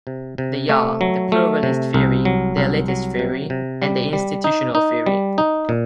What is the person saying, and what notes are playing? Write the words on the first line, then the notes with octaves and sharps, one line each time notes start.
They are; the pluralist theory, the elitist theory, and the institutional theory.
C3
C3
A3
F#3
A3
C3
C2
F#3
C2
F#3
C3
C3
G3
G3
D#4
D#4
G3
D#4
A#2